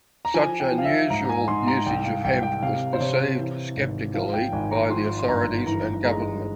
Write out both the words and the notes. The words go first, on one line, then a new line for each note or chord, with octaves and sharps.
Such unusual usage of hemp was perceived skeptically by the authorities and government.
A#5
F3 G#5
G5
F3
F5
E5
G#2 A#5
A#5
G#5
G#2 C6
A#5
C2 G5
F5
C2 G5
G5
C3 F5
C5
C3 C#5
E3
G#1
F3 F5
G5
G#1 G#5
A#5
F3 C6
C6
G1 A#5
E3 A#5
G#3 A#5